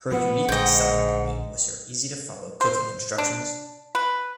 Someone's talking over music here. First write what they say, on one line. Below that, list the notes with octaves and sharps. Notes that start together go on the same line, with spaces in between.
Her unique selling point was her easy to follow cooking instructions.
F3 B3 F#5
A#1 G#2 D3 G#3 D#5 G5
C5
D4
B4